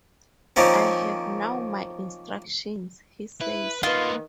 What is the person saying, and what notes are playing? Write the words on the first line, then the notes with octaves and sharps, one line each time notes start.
"I have now my instructions," he says.
D#3 F3 A#3 C4 C#4
E4 B4
D#3 A#3 B3 F4 B4 D#5